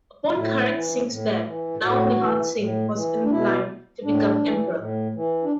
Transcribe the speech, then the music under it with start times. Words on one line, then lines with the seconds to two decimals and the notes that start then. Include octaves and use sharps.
Upon Kharak Singh's death, Nau Nihal Singh was in line to become Emperor.
0.34 A2 E4
0.72 E3
1.09 A2
1.46 E3
1.82 A2 F#4
2.20 E3
2.57 A2
2.94 E3
3.23 D4
3.30 B2 E4
4.04 A2 D4
4.41 E3
4.78 A2
5.15 E3
5.43 D4